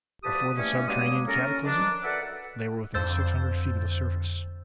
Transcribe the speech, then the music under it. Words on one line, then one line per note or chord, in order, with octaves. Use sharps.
And before the subterranean cataclysm, they were within six hundred feet of the surface.
D2 F3 G4 B4 A5 D#6
E3 G3 A3 A#3 C#4
G2 F#3 G#3 A#3 G#4 D#6
C#4 A4 A#4
D#3 F3 D4
F#4 A4 B4 D5 E5 F#5
F2 D3 C5 E6 G6 A6